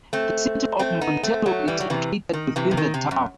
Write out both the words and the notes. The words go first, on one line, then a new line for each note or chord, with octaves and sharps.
The City of Montello is located within the town.
A3 C4
A3 C4
B3 D#4
A3 C4
F#3 A3
E3 G3
F#3
C3 E3
D#3
C3 E3
C3
D#3
C3
F#2